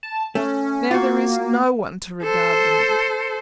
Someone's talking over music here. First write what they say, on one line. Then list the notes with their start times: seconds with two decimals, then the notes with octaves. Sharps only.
Now there is no one to regard them.
0.03 A5
0.35 A3 C#4
0.91 A#3 F4 F#4
2.23 A4 C5